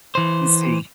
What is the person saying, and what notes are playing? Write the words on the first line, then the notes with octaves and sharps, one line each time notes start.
you see?
E3 C5